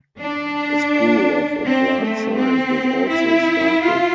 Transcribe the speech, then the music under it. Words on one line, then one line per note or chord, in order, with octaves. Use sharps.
A school of applied science was also started.
D4
C4
A3
C4
E4
F4